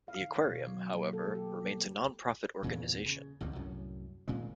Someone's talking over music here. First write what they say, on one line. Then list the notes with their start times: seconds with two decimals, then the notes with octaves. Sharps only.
The aquarium, however, remains a nonprofit organization.
0.08 F5
0.21 D#3
0.36 C#5
0.49 B2
0.67 F#3
0.94 A#3
1.13 A4
1.35 G4
1.66 A#3
2.63 E2 G2 A#2 C#3
3.06 C#3
3.41 A1 D2 C3 G3
3.55 C2 F#2 A2
4.28 G#1 A#2 C#3 G#3